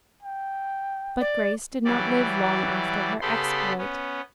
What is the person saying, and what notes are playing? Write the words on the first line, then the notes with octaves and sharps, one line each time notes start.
But Grace did not live long after her exploit.
G5
D5
E3 F#3 G3 D5
C#3 B3 G4 A4 B5 C6
B3 C#4